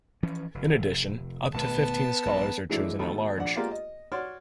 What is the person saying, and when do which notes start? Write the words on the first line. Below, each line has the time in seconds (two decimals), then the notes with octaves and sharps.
In addition, up to fifteen Scholars are chosen at-large.
0.23 E3 F3 C#4
0.54 F1
1.54 G#1 B2 A3 B3 A5
2.26 A#1 G2
2.69 E3 F#3 G#3 A3 D4 E4
2.99 B2 D#3 A3 A4 B5
3.38 A#1 D4 F#5
3.56 G#3 A#3 B3 F4 G4 D5
3.71 D#5
4.12 F#4 C#5 D5 C6 F6